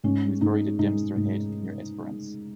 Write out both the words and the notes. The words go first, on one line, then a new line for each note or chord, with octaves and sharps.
He was buried at Dempster Head near Esperance.
G#2 C#4
G#2 D#4
G#2 D#4
G#2